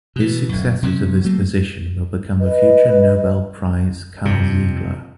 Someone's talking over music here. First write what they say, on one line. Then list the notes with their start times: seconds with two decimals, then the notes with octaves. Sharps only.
His successor to this position will become the future Nobel Prize Karl Ziegler.
0.16 B2 E3
0.49 D1 F#2
0.82 C3 F#3 G#3 C#4
1.24 F#3 A3 A#3
2.40 B4 D#5
4.25 F2 C3